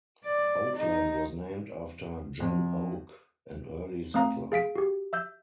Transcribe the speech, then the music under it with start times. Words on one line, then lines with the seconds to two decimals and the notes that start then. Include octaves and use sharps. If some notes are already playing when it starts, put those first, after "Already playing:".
Oakland was named after John Oak, an early settler.
0.25 D5
0.76 D#4
2.40 F2
4.14 A3 C4 F5 A#5 D#6
4.52 G#4 F5 B6 D7
4.76 F#4 G4
5.13 E5 E6 G6